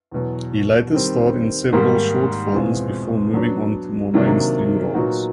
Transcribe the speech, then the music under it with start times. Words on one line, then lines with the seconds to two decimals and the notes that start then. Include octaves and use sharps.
He later starred in several short films before moving on to more mainstream roles.
0.11 E2 B2 F#3
0.92 D#3 G3 C4
1.73 G#2 D#3 G3 A#3
2.53 E2 B2 G#3 C4 F4
3.34 F#3 B3 D4
4.14 C3 D#3 F#3 A#3 D4
4.94 A#2 F#3 B3 D#4 F#4